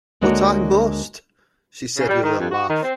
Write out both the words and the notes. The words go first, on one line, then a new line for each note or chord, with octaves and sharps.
"But I must," she said with a laugh.
D2 G#3 A#3 D4 F#4 C#5
C#3
G3
D#3
F2
F#4
D#3
C4